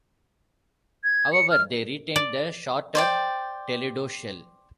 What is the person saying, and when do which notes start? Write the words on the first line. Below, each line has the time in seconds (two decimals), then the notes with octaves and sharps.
However, they retained the shorter Toledo shell.
1.04 G#6
1.33 C#7
1.51 F6
2.16 D5
2.95 C5 D5 G5